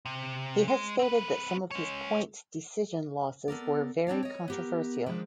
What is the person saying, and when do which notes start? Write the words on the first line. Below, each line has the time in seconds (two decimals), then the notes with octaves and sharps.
He has stated that some of his points decision losses were "very controversial".
0.06 C3
0.68 G#3
0.99 C4 B4
1.71 G#3 C#5
3.48 B3 A4 A#4 D5
4.07 C4 D4 C#5 D5
4.23 C#5 D#5
4.48 B3 G4 A#4
5.06 D#3 F3 G#3 D4 B4 D5